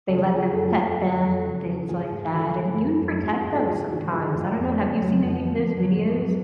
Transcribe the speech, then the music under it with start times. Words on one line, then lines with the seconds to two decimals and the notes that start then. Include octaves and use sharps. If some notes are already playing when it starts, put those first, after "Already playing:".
they let them pet them and things like that, and even protect them sometimes. I don't know, have you seen any of those videos?
0.09 C#3 A4
0.18 G#4
0.26 F#4
0.31 C#3 F4 G#4
0.53 F#2 F#4 A4
0.68 F4 G#4
0.76 F#2
0.84 F#4 A4
0.99 D3
1.20 F2
1.43 C#3
1.66 C#3
1.88 G#2 F4 G#4
2.11 G#2
2.23 G#4
2.33 D3 F#4 A4
2.55 D3
2.77 F#2
3.00 F#2
3.23 G#2 F4 G#4
3.37 F4 G#4
3.45 G#2
3.53 F#4 A4
3.67 C#3 F4 G#4
3.89 C#3 D4 F#4
4.12 G#2 F4 G#4
4.34 G#2 F4 G#4
4.57 F2
4.68 B3 D4
4.80 C#3 B3 D4
4.91 A3 C#4
5.02 C#3 F#3 A3
5.25 F2 F3 G#3
5.47 D3 F3
5.62 F3
5.69 D3
5.77 F#3
5.92 G#2
6.07 F3 G#3
6.14 G#2
6.21 F#3